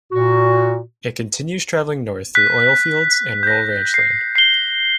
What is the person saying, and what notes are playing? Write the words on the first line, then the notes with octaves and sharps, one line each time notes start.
It continues traveling north through oil fields and rural ranch land.
A#2 F#4
F#6 B6
G6 A#6
C7
C7 G7